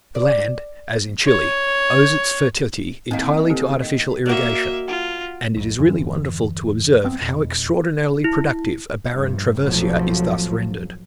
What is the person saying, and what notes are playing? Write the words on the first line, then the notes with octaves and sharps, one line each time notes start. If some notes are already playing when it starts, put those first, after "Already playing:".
The land, as in Chile, owes its fertility entirely to artificial irrigation; and it is really wonderful to observe how extraordinarily productive a barren traversia is thus rendered.
D5
C#5
D#3 A#3 C4 D#5
C4 G4 A4
D#5
A#3 F#4 D5 E5
F4 F#5
A#1 F2
E2 G2 D3 E3
F#1 F#2 B3 C4
E1 F2 B2
E4
A#1 G2
B1 F2 A2 F3 F#3